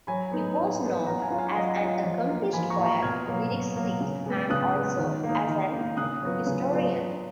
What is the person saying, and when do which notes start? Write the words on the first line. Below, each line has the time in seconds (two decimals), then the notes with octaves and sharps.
He was known as an accomplished poet, lyricist and also as an historian.
0.07 F#3 G#5 B5
0.32 B3 D#4
0.56 F#3
0.82 B3 D#4
1.06 F#3 F#5 A#5
1.22 F5 G#5
1.30 C#4 F4
1.38 F5 G#5
1.55 F#3 D#5 F#5
1.80 C#4 F4
2.04 F3
2.29 A#3 F4
2.53 F3 G#5 B5
2.70 A#5 C#6
2.78 A#3 F4
2.86 A#5 C#6
3.02 B2 F6 G#6
3.27 F#3 A#3
3.51 B2
3.76 F#3 A#3
4.01 C#3
4.26 G#3 B3
4.50 C#3 D#6 F#6
4.74 G#3 B3
4.99 D#3
5.23 A#3
5.28 D#4
5.48 D#3
5.72 A#3 D#4
5.97 C#3 D#6 F#6
6.22 F#3 B3 F4
6.46 C#3
6.71 F#3 B3 F4
6.96 F#3